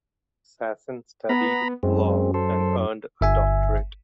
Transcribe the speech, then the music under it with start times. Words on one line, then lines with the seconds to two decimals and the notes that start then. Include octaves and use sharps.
Sassen studied law and earned a doctorate.
1.29 B3 A#5 B5
1.83 F#2 G#3 C4
2.34 A4 C5
3.21 G1 E5 G#5